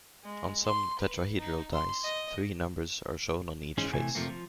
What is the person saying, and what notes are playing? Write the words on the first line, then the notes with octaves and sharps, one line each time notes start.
On some tetrahedral dice, three numbers are shown on each face.
G#3
C6
B4
D#4
C6
D#5
G#2 E3 G#3 C#4 D#4 G#4
A2 C3 E3 A3 G#5
F2 C3 F3 A3 A#3
F3